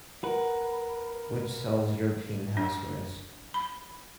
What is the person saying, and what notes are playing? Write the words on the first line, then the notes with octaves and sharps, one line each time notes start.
Which sells European housewares.
A#4 B4 F#5
D4
B5